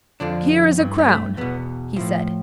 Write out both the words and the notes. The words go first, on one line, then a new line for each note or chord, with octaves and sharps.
"Here is a crown," he said.
F2 D3 F3 D4
G2 E3
G3
A3
E2 B2 B3
A2 F3 E4